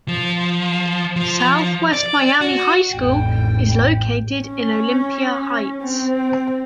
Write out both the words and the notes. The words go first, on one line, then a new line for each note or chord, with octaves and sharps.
Southwest Miami High School is located in Olympia Heights.
F3
F3
D5
F#4
A1 F2 G5
C#4
C4